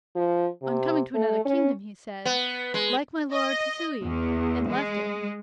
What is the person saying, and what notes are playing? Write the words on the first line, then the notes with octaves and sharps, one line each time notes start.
On coming to another kingdom he said, 'Like my lord Ts'ui,' and left it.
F3
C3
A3
C#4
B3
G#3
D#5
E2
G#3